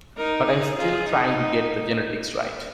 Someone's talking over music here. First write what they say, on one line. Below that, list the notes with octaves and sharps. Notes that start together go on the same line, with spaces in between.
But I'm still trying to get the genetics right.
D#4 A#4
G#4
F4 G#4
D#4